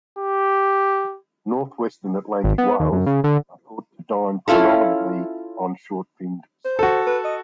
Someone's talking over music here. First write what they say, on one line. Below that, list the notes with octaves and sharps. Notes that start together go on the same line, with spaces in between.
Northwestern Atlantic whales are thought to dine predominately on short-finned squid.
G4
G#1
B3
D#2
F#2
C#3
D3
C#4 E4 F4 A4
C5
F#4 A4
B4
D#5